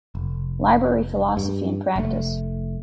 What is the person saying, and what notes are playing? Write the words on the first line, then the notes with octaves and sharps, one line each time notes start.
Library Philosophy and Practice.
F1
G2
F1 A3